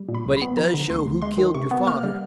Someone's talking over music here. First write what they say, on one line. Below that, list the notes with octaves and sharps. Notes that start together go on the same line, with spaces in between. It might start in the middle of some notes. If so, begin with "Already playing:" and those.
But it does show who killed your father.
Already playing: G3
A#2
B5
C2
B5
B3
F3 A#5
D3
D2 C6
D2
G#3 C6
D#3
C3 C#6
B3
A#3 F6
G3